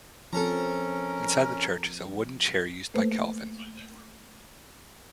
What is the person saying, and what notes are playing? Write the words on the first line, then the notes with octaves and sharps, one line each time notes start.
Inside the church is a wooden chair used by Calvin.
F3 C4 C#4 A4 A#4 A#5
A3 A#3 A4 B4 C5